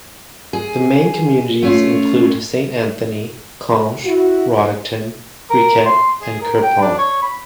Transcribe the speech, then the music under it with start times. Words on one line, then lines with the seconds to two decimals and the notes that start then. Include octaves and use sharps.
The main communities include Saint Anthony, Conche, Roddickton, Griquet and Quirpon.
0.53 G#4
1.63 A3 C#4 F4
4.05 E4 F#4
5.50 A#4
5.86 C6
6.21 G#4
6.41 A#4
6.62 G5
6.81 D4
6.98 C#5
7.22 B5